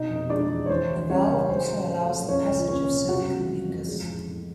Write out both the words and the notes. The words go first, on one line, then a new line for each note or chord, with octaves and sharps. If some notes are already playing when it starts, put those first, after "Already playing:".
The valve also allows the passage of cervical mucus.
Already playing: B2 D#4 D#5
F1
G#3 D4 D5
E2
C#5
E3 C5
D2
G3 C#4 C#5
C#3
F#3 C5
A#1
A3 C5
A#2
F3 C#4 C#5
C#2
A#3 C#4 C#5
C3
C#3 F#4 F#5
G1
E3
F2
G#3
A2
A2